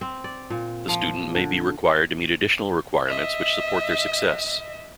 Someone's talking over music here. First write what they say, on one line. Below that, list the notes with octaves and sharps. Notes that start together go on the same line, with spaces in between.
The student may be required to meet additional requirements which support their success.
C4
D5
A#2
F3
D3
D#5 E5